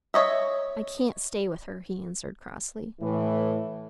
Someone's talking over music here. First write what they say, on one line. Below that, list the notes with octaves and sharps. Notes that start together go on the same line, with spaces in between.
'I can't stay with her,' he answered crossly.
C#5 D#5 E5
A2 E3